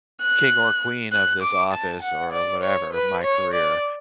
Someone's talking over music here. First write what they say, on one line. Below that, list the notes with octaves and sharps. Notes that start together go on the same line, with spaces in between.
king or queen of this office or, whatever, my career."
F#6
F#6
D6
A5
F#5
D5
C#5
B4
C#5
D5